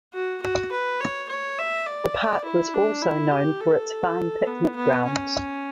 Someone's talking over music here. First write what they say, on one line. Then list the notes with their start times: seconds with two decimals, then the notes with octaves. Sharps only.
The park was also known for its fine picnic grounds.
0.14 F#4
0.42 F#4
0.72 B4
1.00 C#5
1.29 C#5
1.58 E5
1.87 D5
2.45 E4
2.74 D4
3.02 E4
3.31 G4
3.60 A4
4.47 B3
4.76 B3
5.05 C#4